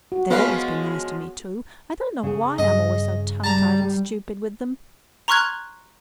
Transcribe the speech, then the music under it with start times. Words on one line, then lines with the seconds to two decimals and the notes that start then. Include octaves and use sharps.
They've always been nice to me, too--I don't know why I am always so tongue-tied and stupid with them.
0.12 F#4
0.30 F3 G#3 B3 C#4 B4 F5
2.23 C#3 G#4
2.58 G2 D#5
3.44 G3 A5 A#5
5.28 A#5 C6 C#6 F6 F#6 G#6